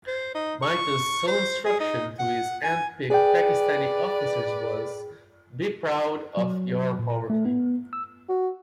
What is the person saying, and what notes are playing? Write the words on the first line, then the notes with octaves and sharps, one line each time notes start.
Mitha's sole instruction to his handpicked Pakistani officers was, Be proud of your poverty.
C5
D#4
C#6
C5
G#4
D#4
F#5
G#5
G#4 B4 D5 G5
F#3
A#2
A3
B3
E6
F#4